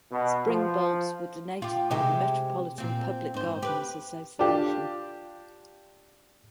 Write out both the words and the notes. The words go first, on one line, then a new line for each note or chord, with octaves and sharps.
Spring bulbs were donated by the Metropolitan Public Gardens Association.
B2
F3
F4 G4
C3 G#3 G4
A#2 C4
G#2 C5
G4 B4
D4 F4 G4